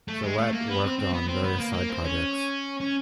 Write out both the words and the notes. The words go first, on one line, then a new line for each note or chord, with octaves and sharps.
Gillette worked on various side projects.
A3
G#3
A3
A#3
B3
C4
C4
B3
C4
B3
A#3
A#3
C4
C#4
C#4